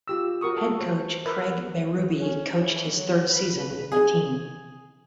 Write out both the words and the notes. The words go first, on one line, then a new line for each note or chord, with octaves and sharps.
Head coach Craig Berube coached his third season with the team.
F4 G4 E6
F#4 A#4 C#6 D#6
A4
C5
A#4 B4 E5
C#4
E3
F#3
B4
G#4